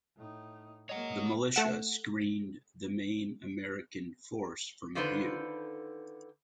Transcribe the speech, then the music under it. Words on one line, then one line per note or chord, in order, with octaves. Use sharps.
The militia screened the main American force from view.
A2 D#4
G#3 A#3 C#5 D#5 F#5
A3 F#5 E7
D3 D#3 F4 A4 B4 C5